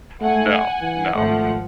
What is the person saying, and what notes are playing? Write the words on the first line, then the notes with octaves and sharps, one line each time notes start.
No, no,
A3 F#5 G#5
E3
G#1 F3 A3 F#5